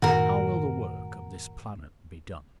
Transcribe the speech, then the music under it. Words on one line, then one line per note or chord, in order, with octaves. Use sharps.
How will the work of this planet be done?
F#2 A2 D#3 F#4 A#4